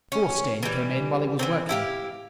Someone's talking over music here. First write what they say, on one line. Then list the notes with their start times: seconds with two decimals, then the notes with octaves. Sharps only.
Thorstein came in while he was working.
0.12 C#4
0.63 E3 G3
1.39 E3 A#3 C4
1.69 E4 G4 F5